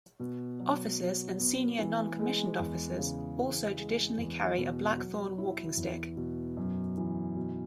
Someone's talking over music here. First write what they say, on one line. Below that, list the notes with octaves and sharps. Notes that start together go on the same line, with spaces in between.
Officers and senior non-commissioned officers also traditionally carry a blackthorn walking stick.
B2
F#3
F#3
B3
E3
G#3
E2
C#3
E3
G#3
E2
B2
F#3
E4
E2
B2
F#2
E3
B2